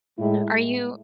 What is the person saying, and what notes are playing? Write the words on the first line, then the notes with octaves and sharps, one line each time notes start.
Are you
A2 G#3 E4